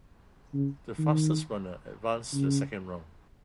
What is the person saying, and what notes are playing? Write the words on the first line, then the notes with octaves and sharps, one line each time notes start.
The fastest runner advanced to the second round.
C#3
D#3
C#3